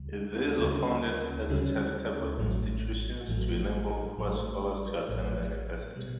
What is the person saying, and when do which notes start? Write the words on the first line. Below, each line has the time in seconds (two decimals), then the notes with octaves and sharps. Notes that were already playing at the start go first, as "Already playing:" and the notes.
These were founded as charitable institutions to enable poor scholars to attend the University.
Already playing: D2 C#3 G3
0.59 D2 C#3 G3 C#4
1.48 D2 C#3 G3 C#4
2.38 A1 A2 F#3 A3
3.27 A1 A2 F#3 A3
4.17 A1 A2 F#3 A3
5.06 A1 A2 F#3 A3
5.96 B2 G3